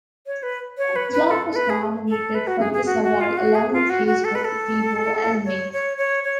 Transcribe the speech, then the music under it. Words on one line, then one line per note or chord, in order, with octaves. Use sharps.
Flock was nominated for this award along with Facebook, Bebo and Ning.
C#5
B4
C#5
B4
B4
A4
A4
B4
G#4
A4
B4
F#4
G#4
G#4
F#4
F#4
F4
F#4
G#4
F4
F#4
F#4
A4
B4
A4
C#5
C#5
C#5
C#5